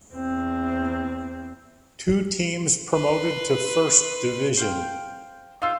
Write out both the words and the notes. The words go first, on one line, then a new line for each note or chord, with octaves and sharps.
Two teams promoted to First Division.
E2 C4
B4 C6
C5 F5 G5
D#4 F4 F5 E6